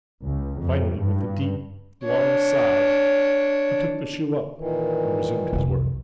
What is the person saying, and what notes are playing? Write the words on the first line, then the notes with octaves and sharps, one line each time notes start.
Finally, with a deep long sigh, he took the shoe up, and resumed his work.
C#2
F2
G2
D4 C#5
A#2 D#3 E3
C2 F2